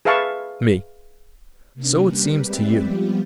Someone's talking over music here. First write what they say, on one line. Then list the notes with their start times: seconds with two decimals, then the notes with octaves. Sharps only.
ME: So it seems to you.
0.05 G#4 B4 E5 F5 A5 C#6
1.74 C3 A#3 C#4 D4
2.06 G3 G4 A#4 B4
2.42 G#3 C4 G4 B4 D5 E5
2.82 F3 G3 B3 F4 G4